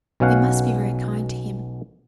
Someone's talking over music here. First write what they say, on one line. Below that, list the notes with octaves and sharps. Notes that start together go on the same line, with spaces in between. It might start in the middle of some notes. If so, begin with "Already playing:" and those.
We must be very kind to him.'
B1 B2 C#4 F5 F#5